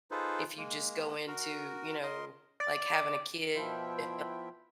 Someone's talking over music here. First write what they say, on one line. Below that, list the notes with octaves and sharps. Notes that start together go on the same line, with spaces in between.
if you just go into, you know, like having a kid and,
D#4 F4 G#4 A4 B4 C5
G#3 A#3
F#4 A#4
A#4 D#5 C6
D5
B2 F3 E4 F4 E5 G5